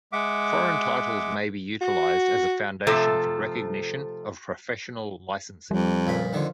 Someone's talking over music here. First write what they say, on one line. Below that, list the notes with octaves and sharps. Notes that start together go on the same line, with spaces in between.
Foreign titles may be utilized as a foundation for recognition of professional licensing.
G#3 E5 F#5 D6
F#4
C3 F3 A3 A4
F2 F3 G3 D5
C#2 A#2 C5 F5 B5
F2 D3 D#3